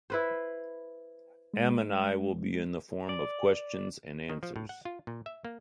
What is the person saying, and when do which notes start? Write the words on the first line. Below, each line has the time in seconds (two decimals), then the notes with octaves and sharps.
Ammanai will be in the form of questions and answers.
0.10 E4 B4 C5
1.54 G#3
3.09 D5
4.29 D#3
4.43 F3
4.56 A2
4.69 F#5
4.85 F4
5.07 A#2
5.26 E5
5.45 A#3